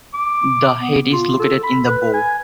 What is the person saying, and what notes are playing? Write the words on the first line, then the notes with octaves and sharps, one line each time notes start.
The head is located in the bow.
D6
B3
F4
A4
B5
B4
G#5